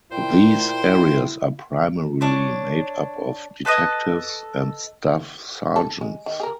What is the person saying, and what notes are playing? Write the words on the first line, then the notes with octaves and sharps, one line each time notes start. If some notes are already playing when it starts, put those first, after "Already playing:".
These areas are primarily made up of detectives and staff sergeants.
A#2 E4 C5 G5
D4 C#5
A4 B4 C5 D#5
A4
G#3
D#3
G#4 A#4